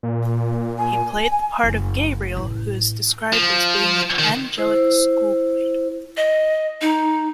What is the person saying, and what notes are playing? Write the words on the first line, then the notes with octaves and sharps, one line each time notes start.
He played the part of Gabriel who is described as being an 'angelic schoolboy'.
A#2
G#5
F#1 A3
A1
F3
D#3
E4 C5
D#5
D#4